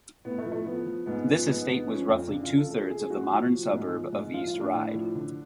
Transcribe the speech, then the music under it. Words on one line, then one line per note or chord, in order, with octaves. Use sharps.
This estate was roughly two-thirds of the modern suburb of East Ryde.
A2 B3
A3
F3
A3
F3 B3
F3
G#2 B3
F3 B3
G#2 B3
B3
G#2
B3
F3 C#4
F2 F4
C#3 D4
F4
F3
A4
F3 A4
F3 G#4
A2 F#4
F3
F3
G#2
F3
G#2
F3 F4
F4
A2
D4
A2
F3
D3